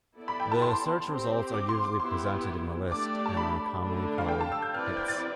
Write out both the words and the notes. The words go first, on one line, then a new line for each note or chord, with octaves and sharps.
The search results are usually presented in a list and are commonly called "hits".
B3 E4 A4 D5
B5
G5
A5
C6
C4 G4 C5
D6
C6
D6
B3 E4 G4 C6
A3 D4 G4 D5 D6
A5
B5
D3 A3 D4
F5
G5
A5
E6
G6
C4 E4 B4 D5 F6
F6
G6
A6